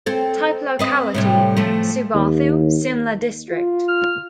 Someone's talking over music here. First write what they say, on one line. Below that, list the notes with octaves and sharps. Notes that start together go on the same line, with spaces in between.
Type locality: Subathu, Simla District.
C4 A4
C4 B4 D#5
A2 C3 G3
F3 A3
D#2
F4
F6